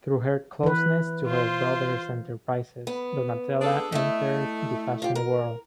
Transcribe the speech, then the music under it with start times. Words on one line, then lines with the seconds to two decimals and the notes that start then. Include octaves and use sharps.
Through her closeness to her brother's enterprises, Donatella entered the fashion world.
0.63 E3 B4
1.26 F4 C5
2.87 B3
3.61 D4 G#4 A4
3.92 A3 E4 D#5
5.02 F4 G4
5.15 A#4